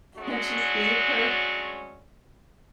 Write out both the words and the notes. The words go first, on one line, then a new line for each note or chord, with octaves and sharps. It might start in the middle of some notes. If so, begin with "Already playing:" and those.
and just gave her
F#3 G#3 A3 C#4 D4 F#4